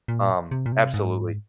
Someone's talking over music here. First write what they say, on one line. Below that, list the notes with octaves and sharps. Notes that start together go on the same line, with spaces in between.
um, absolutely.
A#2
C3
A#2
C3
G#2